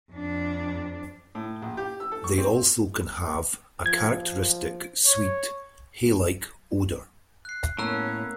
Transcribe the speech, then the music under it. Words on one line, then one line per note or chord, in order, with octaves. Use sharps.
They also can have a characteristic sweet, hay-like odor.
F2 D4
A2
A#1
G4
E6
A4
C#6
C4
F3 G#6
C#5
F#6 C7
A2 A#3 B3 C#4 A#5 E6 F#6